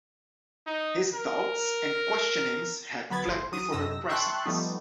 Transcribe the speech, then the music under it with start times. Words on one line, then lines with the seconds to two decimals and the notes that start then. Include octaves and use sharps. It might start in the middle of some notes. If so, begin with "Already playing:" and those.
His doubts and questionings had fled before her presence.
0.67 D#4
1.14 A#4
3.10 D2 F#3 B3 B5 G#6 A6
3.27 G1 A2 C5
3.52 F#3 D#6 D#7
3.72 F#2 C3 D#4 E6 A#6
4.09 E5 G5 A5 C6 C#6 F#6
4.46 F3 G3 A3 B3 D#4